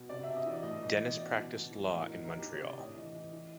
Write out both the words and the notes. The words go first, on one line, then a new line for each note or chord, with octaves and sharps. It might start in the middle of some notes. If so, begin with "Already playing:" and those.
Denis practised law in Montreal.
Already playing: B2
C3 D5
E5
C3
D#5
E3 D5
A2 D#5
E3
E3
B2 D5
B2
B2
E3
A2 D#5
A2 A#4
D#3 A#4
G4
D#3
C#5
C3 D5
A2 D#5
E3
E3
E3